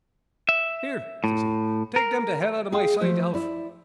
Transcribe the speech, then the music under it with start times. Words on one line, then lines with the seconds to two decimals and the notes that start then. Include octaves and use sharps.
Here, says he, take them to hell out of my sight, Alf.
0.49 E5
1.24 A2
1.96 A#4
2.72 G#4 F5 G5
3.01 F3 A3 C5
3.34 E4 D5